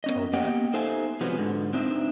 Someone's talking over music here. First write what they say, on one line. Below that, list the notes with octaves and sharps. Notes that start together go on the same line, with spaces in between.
all that,
B3 C#4 D#5
A#3 B3 G4 D#5 F#5 G5
D#4 A4 C5 E5 F5 G#5
C3 F3 F#3 G#3 B3
G#2 D3
C4 D4 D#4 E5